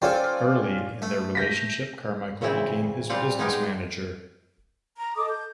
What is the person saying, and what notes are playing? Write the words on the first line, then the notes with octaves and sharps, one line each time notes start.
Early in their relationship, Carmichael became his business manager.
C4 C#4 F4 A4 D5
A3
G6 A#6 B6
A#2 C#3 E3 C4 E4
A#2 G3 C4 F4 F5 F#5
G#3 B3 D#4 F4 G4 A#4
A#5
A4 D#5 D6 D#6
G6